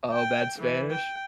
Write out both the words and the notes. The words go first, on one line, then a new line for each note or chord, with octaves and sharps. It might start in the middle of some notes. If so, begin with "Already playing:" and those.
Oh, bad Spanish?
G5
E3
G5